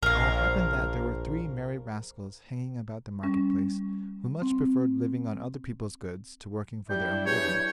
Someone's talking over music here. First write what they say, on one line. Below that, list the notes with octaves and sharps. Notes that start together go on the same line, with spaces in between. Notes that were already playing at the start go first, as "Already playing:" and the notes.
Now it happened that there were three merry rascals hanging about the market-place, who much preferred living on other people's goods to working for their own living.
A#1 A#4 F5
G3 C#4
C4
F#3 G3 D4 E4 G6
E2 C#5